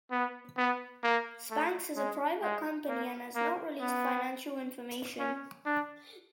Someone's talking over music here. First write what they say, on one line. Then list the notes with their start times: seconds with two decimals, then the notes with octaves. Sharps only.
Spanx is a private company and has not released financial information.
0.11 B3
0.57 B3
1.04 A#3
1.50 A3
1.96 G#3
2.42 G#3
2.89 A#3
3.35 A#3
3.80 B3
5.19 C#4
5.66 D4